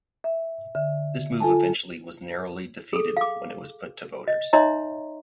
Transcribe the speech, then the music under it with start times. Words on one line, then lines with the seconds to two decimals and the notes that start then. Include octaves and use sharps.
This move eventually was narrowly defeated when it was put to voters.
0.24 E5
0.75 D3 E5
1.40 F4 A4 G#5 A5
2.93 G#4 A4
3.17 F5 D6
4.28 D#5
4.53 D#4 C#5 D#5 E5 A#5 C6